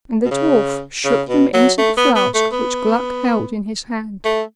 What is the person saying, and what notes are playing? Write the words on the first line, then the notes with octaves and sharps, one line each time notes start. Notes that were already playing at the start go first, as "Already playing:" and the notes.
And the dwarf shook them into the flask which Gluck held in his hand.
B2
C#3
C#3
B2
F#3
A3
B3
B3
A3
B3
A3